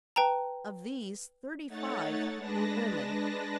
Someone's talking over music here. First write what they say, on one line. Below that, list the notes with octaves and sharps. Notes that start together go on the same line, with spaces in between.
Of these thirty-five were women.
B4 G5 A5 A#5
A3 D#4 C#5 F#5 A6
G#3 D4 B4 A5 A#6